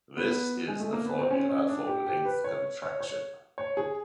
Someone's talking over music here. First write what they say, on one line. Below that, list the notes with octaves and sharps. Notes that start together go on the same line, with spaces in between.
This is the formula for length contraction.
B3
G#3
A3
A#3
B3
C4
C#4
C#4
D4
G4
G4
B4
C#5
C#5
C#5
C#5
G#4